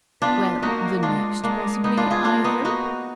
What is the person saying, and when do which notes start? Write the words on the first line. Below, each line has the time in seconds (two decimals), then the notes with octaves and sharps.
'Well, the next possibly, I hope?'
0.22 B3 D4 F4
0.62 A#3 D#4 F#4
1.03 G#3 D4 F4
1.43 G#3 A#3 D4
1.84 G#3 B3 D#4
1.97 D4 F4
2.10 F4 G#4
2.24 A#3 D4 F4
2.44 B3 D#4
2.65 D#4 F#4